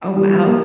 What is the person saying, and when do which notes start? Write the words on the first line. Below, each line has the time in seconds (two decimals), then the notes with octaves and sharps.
Oh, wow.
0.16 E3 G3
0.36 E3
0.46 A#3